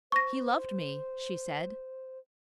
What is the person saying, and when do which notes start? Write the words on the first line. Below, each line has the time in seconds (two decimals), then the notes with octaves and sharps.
"He loved me," she said.
0.12 C5 C#6 A#6